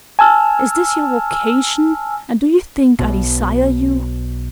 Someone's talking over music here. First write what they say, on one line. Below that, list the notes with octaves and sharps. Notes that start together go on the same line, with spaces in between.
Is this your vocation and do you think I desire you?
G#5 A5 E6 F6
B1 B2